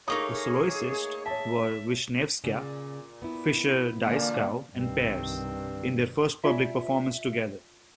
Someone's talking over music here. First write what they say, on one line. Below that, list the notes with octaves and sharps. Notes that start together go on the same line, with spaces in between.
The soloists were Vishnevskaya, Fischer-Dieskau and Pears, in their first public performance together.
A3 A#3 D#4 G#4 C#5 C#6 D#6
C#5 E5 A5
A#2 C#3
B3 E4
A#2 D3 E3 A#3
C2 G2 D#3 C4
F4 D5 E5 G#5